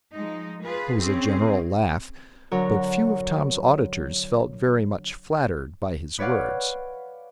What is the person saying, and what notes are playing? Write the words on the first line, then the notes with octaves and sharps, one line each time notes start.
There was a general laugh, but few of Tom's auditors felt very much flattered by his words.
F3 G#3 D#4
F4 G#4 B4
C4 C#4 G#4
D3 F#3 A#4 C#5
B4 C#5 D5 F5 F#5